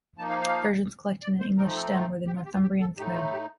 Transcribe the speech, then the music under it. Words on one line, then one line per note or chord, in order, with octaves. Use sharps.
Versions collected in England stem from the Northumbrian thread.
F3 A#3 D#4 A5
F5
F5
D5
C5
F3 A3 C4 D#4 A#4
A4
F4
G4
F4
G4
F4
G4
A4
A2 A3 D#4 G4
F4
G4